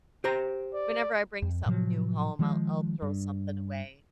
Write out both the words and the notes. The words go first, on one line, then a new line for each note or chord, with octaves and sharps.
whenever I bring something new home, I'll I'll throw something away.
G4 C5 A#5
D5
F2
A2 C3 F3 F#3
D#3 F3 G#3
G2